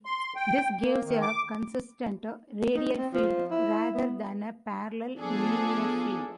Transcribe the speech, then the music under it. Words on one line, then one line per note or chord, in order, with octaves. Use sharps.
This gives a consistent radial field, rather than a parallel linear field.
C6
G5
A#3
D#3
D6
D#4
C4
F3
E4
B3
F3 B3 D4 G#4 A4